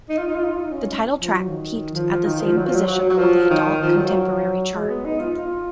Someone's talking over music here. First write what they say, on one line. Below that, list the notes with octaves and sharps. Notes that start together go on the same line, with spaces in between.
The title track peaked at the same position on the adult contemporary chart.
D#4
F4
D#4
F4
D#4
F4
D#4
C#4
F3
F#3
D#3
F3
F3
D#3
F3
F#3
F3
F#3
F#3
F#3
F3
D#3
F3
F#3
G#3
B3
D#4
F4
F4